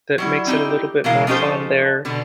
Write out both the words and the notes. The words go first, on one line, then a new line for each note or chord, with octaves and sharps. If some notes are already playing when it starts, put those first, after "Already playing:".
that makes it a little bit more fun there.
F#3 G3 E4
C4 D#4 E4 G4
B2 E3 G#3 E4 A#4 F5
F3 C#4 D#4 G4 A4 C5
B2 D3 B3